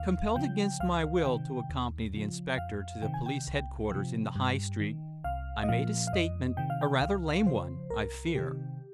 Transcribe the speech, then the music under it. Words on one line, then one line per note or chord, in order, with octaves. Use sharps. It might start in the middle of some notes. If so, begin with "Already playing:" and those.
Compelled against my will to accompany the inspector to the police head-quarters in the High Street, I made a statement--a rather lame one, I fear.
Already playing: D#2 F5
C#3 F3 G5
C#2 F5
C3 D#3 G5
D#2
C#3 F3
G5
F2 F5
C3 D#3 G5
G#5
G5
C2
C3 F3
G2
D#3
C2 F5
D#5
A#2 F3 F5
F5
F2 D#5
C3 D#3 G5
F5
G5
C#2 F5
C#3 F3 C5
C2 A#4
C3 D#3 G4